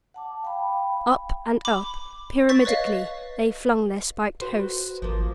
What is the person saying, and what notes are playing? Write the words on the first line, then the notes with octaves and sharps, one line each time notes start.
Up and up, pyramidically, they flung their spiked hosts.
F#5 A5 D6
F5 G5 B5
B5 D6
C#6 A6 B6
B4 C#5 D#5 F5
F#4 B4 C5
G#1 F3 A#3